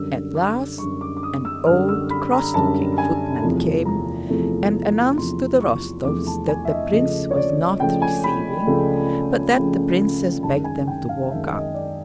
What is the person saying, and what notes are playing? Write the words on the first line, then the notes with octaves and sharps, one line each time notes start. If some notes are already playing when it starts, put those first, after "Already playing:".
At last an old, cross looking footman came and announced to the Rostovs that the prince was not receiving, but that the princess begged them to walk up.
Already playing: F#2 D3 G3 E6
D6
F#2 D3 G3 C#6
D6
D6
D#6
E6
F#2 D3 G3 F6
E6
B5
A#5
F#2 D3 G3 A5
G#5
E2 C3 F3 A3
A#5
E2 C3 F3 A3
E2 C3 F3 A3 C6
C#6
E2 C3 F3 A3 D6
A5
G#5
E5
D#5
C#2 C#3 F3 A3 D#5
C#5
D5
C#2 C#3 F3 A3 G5
G#5
B5
C#2 C#3 F3 A3
C#2 C#3 F3 A3
F#2 D#3 G#3 A5
G#5
G5
F5
F#2 D#3 G#3 E5
D#5
D5